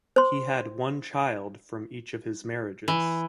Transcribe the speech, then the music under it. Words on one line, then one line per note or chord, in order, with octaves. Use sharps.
He had one child from each of his marriages.
C5 C6
E3